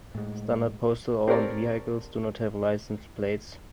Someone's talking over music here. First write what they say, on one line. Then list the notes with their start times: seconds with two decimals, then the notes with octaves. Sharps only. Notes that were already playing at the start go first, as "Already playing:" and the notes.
Standard postal-owned vehicles do not have license plates.
0.15 A2 G#3
1.28 C4 G4 A4 A#4 C#5 D5